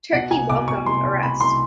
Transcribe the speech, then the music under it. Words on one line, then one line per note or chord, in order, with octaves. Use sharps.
Turkey welcomed arrests.
B2 F#5
C2 G#5
B2 D6
B2 C#6
C2 C6
B2
B2 B5
C2 C6